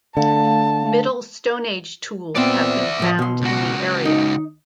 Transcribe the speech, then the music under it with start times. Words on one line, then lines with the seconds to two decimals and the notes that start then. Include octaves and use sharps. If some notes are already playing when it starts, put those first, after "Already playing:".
Middle stone age tools have been found in the area.
0.17 D3 A3 F5 A5
2.36 A#2 B3 C4 D5 E5
2.99 A2 F3
3.19 B2 C6
3.42 C#2 F#4
4.05 D#4